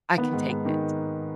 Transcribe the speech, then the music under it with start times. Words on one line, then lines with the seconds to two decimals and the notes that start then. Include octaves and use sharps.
I can take it.
0.18 D#3 B3
0.33 G#2
0.49 G#2
0.65 D#3